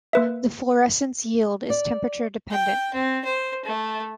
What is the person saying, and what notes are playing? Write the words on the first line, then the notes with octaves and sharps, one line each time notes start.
The fluorescence yield is temperature dependent.
A#3 B4 E5
D5
G5
C4
C5
A3